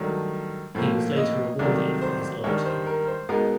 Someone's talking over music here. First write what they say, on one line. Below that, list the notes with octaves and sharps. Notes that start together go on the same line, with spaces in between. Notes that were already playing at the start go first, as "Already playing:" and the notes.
He was later rewarded for his loyalty.
Already playing: G2 D#3 F#3 A3
A2 F3 A#3
D#5
C2 C3 D#3 F#3 A3 D5
C5
G2 D#3 G3 C#5
C5
A#4
C5
B2 G#3 B3 D#4 A#4